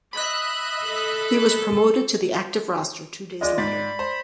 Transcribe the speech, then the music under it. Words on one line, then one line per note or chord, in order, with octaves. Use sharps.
He was promoted to the active roster two days later.
D#5 E5 B5 F#6
A4
G#3 F4 D5 D#5
G#2 D5 B5 A6
C5